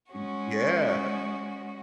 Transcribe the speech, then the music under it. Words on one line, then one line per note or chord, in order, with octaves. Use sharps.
Mm, yeah.
G#3 C#4 F#4